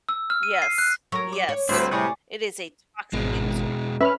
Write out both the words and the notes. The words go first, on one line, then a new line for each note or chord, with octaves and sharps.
Yes. Yes. It is a toxic industry.
E6
F6
D#7
C7
F#6
F#3 A#4 B4 C#5
D6
C#5
D2 G3 C4 E4 B4 C5
A2 C3 G#4 D5 B5 C#6 D#6 F#6
G#1 B2 G#3
C#4 B4 E5 B5 F6